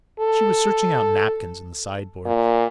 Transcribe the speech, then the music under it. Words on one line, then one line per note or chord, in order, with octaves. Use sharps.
She was searching out napkins in the sideboard.
A4
A#2